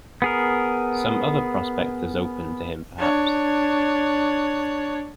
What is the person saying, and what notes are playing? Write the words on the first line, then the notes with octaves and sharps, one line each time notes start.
Some other prospect has opened to him, perhaps?
B3 G#4 A#4
D4 C#5